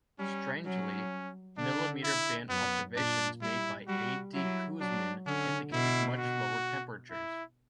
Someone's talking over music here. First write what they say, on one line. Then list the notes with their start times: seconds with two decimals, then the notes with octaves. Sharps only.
Strangely, millimetre-band observations made by A. D. Kuzmin indicated much lower temperatures.
0.19 G3 C#4
0.65 F#3 C#4
1.57 D3 D4
2.04 E4
2.49 F#2 B3
2.95 A#2 D4
3.42 G3 E4
3.88 G3 F#4
4.34 F#3 E4
4.80 F#3 D4
5.26 D3 C#4
5.73 B2 E4
6.18 F#4
7.11 E4